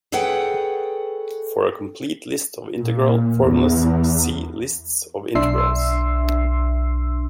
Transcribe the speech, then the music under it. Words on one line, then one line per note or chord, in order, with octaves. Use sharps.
For a complete list of integral formulas, see lists of integrals.
G#4 A4 B4 C#5 F#5 G5
A#2
E2
B1 D4 E5 C6 E6 C7